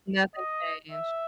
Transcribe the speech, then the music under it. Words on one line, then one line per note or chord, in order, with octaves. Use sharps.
Nothing changed.
D#5
E5